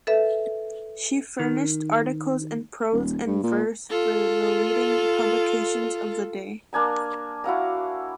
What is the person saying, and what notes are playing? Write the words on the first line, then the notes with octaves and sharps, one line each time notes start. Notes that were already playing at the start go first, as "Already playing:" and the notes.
She furnished articles in prose and verse for the leading publications of the day.
A4 B4 E5
D#3
D#1
G2
A#2
F4 A4
A#3 D4 G#5 A#5
E4 F#4 F5 A#5